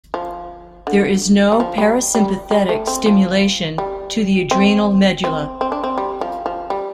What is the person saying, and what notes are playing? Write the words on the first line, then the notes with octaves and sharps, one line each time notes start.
There is no parasympathetic stimulation to the adrenal medulla.
F3
D3
G3
F3
G3
G3
G3
A3
C4
F3
G3
C4
C4
C4
D4
C4
G3
F3
F3
G3